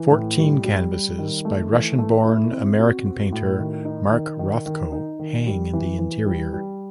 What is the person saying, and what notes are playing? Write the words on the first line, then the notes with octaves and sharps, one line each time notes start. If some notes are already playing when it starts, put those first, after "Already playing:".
Fourteen canvases by Russian-born American painter Mark Rothko hang in the interior.
Already playing: E3
A2
G3
G3
G3
D#3
A3
E3
A3
E4
C4
F#4
F#4
A2
D#3
D#4
D#3
D#3
D#3
D#4
D#3
G3
E3
E3
G3
G3